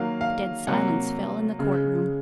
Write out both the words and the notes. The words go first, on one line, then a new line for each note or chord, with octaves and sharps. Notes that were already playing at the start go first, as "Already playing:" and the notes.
Dead silence fell in the court-room.
Already playing: D#3 F#3 A#3 F5
F5
C3 F#3 A#3 F#5
C#3 G#3